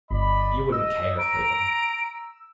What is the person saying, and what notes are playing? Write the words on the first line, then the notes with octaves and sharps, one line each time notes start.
You would n't care for them.
G1 D5 D#5 B5
D#5 E6
A#5 D7